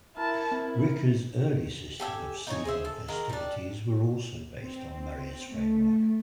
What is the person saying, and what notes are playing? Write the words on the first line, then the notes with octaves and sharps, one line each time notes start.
Wicca's early system of seasonal festivities were also based on Murray's framework.
E4 A#4 A5
C4 E4
G4 A4 E5 G#5
D#4 C#5 G#5
G#4 C5 E5
A4
D#3 G#3 A#4
G3 D4
C4
A3